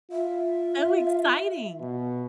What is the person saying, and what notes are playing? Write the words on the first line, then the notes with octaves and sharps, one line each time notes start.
so exciting,
F4 E5
B2